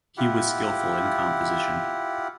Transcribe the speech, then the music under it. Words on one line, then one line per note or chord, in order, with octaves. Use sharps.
He was skillful in composition.
E4 F4 G4 F#5